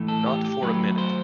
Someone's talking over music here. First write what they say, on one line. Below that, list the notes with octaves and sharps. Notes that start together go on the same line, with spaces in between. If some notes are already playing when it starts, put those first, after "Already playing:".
Not for a minute.
Already playing: A2 E3 A3
A4
G4
G4
F#2 F#3 A3 B4
C5